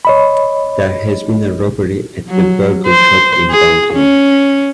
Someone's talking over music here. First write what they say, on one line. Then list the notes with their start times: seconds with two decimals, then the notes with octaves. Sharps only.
There has been a robbery at the burger shop in downtown.
0.05 C#5 D#5 B5
2.29 F#3
2.87 C5
3.50 G#4
3.93 C#4